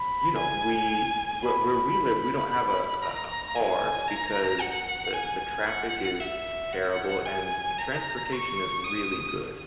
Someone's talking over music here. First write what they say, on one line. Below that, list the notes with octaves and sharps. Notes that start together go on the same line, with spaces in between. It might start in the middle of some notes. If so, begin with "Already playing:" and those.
you know, we where where we live we don't have a a a car because the the traffic is terrible and the transportation is really good,
Already playing: B5
G#5
B5
B5
A#5
G#5
A#5
F#5
G#5
F#5
E5
F#5
G#5
A#5
C#6
D#6